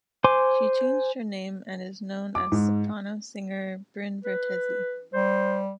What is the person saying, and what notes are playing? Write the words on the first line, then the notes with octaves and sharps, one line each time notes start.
She changed her name and is known as soprano singer Bryn Vertesi.
C5 G#5 C6 D6
D6
G#2
B4
G3 C5